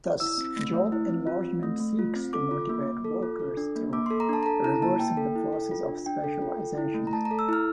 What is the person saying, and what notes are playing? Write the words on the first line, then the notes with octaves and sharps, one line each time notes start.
Thus, job enlargement seeks to motivate workers through reversing the process of specialisation.
E4 E6
C4
A3
A3
E4
C4
F4
C4
A3
A3
F4
C4
A4 D6
F4
A#3
A#3
A4
F4
A4
D4
A#3
A#3 D6
A4 C6
A#5
D4 A5
A#5
A4 A5
E4 A#5
A#3 A5
A#3 G5
A4
E4
A4
F4
D4
D4 G5
A4
F4
A4
E4
A3
A#5
A3 A5
A#5
A4
E6
E4 F6